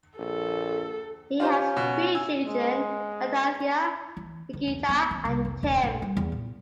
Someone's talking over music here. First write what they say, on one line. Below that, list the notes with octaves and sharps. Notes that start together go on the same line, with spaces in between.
He has three children; Anastasia, Nikita and Tim.
A#1 A4
C#4 F4 G4 C5
B2
G#5 E6
G#3
E3
D3
E2
B3
D#3
C2
F1
D#1
A#1
G3
E2
A#2